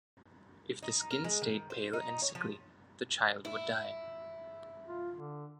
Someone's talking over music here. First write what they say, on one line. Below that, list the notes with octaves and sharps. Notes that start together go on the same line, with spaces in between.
If the skin stayed pale and sickly, the child would die.
D#4
A#4
G#3
D#3
C5
D#4
C#5
F3
E4
F4
D3